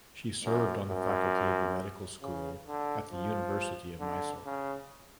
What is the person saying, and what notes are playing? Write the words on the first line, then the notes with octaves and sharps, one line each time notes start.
She served on the faculty of the medical school at the University of Mysore.
F#2
F#2
C#3
D3
F3
D3
C#3